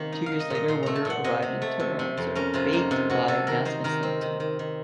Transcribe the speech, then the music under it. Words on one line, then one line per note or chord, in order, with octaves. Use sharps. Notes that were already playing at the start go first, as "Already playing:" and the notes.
Two years later, Wonder arrived in Toronto, baked by Nasmiths Limited.
Already playing: C3 D#3 A#3
D#4
F5
D#4
D#5
A#2 D#5
A#2 C6
A3 A#5
A5
A#2 F#5
C3 D#5
C3
A3
C3
C3
F2
C#4 A#4
C3 F4
A#3 D#4
C3 F4
C3 F#4
C3 A4
D#3 A#4
D#4 C5
D#3 A#4
C4
D#3
D#3
D#3